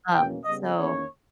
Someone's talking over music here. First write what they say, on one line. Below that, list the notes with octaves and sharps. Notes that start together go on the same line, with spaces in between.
Um, so,
E2 B2 A#3 C#4 G5
C#3 G3 B3 D#5
E2 D#3 A#3 C#4 C#5